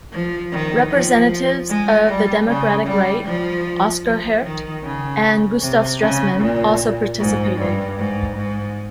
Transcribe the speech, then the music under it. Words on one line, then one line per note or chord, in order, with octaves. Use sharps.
Representatives of the democratic right, Oskar Hergt and Gustav Stresemann also participated.
F3
D#3
F3
G#3
G3
C#3
G3
F3
F3
D#3
C#3
C3
C#3
A#2
G#2
G2
G#2
G#2